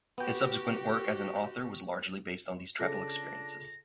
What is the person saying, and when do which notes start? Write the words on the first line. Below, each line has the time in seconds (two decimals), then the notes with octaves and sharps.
His subsequent work as an author was largely based on these travel experiences.
0.18 B3 F#4 G4 G5
2.79 C#3 D4 F4 A4 A#6